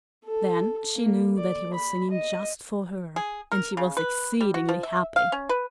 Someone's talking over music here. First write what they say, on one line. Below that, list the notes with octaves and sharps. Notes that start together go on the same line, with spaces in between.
Then she knew that he was singing just for her, and she was exceedingly happy.
A4
A#3
D5
B5
D#5
G#4
A#4
C#3
B4
G3
F#4
F3
E5
F5
C#4
B4